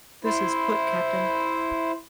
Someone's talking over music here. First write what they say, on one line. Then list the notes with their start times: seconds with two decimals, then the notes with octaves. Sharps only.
This put Cpt.
0.24 E4 C5